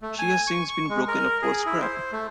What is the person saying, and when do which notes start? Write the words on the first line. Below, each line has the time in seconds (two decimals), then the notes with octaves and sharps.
She has since been broken up for scrap.
0.02 A3
0.19 G#5
0.47 C#6
0.69 C#6
0.89 G#3
1.08 A#4
1.42 G#4
1.66 E4
1.81 C5
2.12 A3